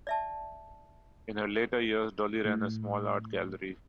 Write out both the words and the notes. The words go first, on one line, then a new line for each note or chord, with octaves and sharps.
In her later years, Dolly ran a small art gallery.
D5 E5 A5
A2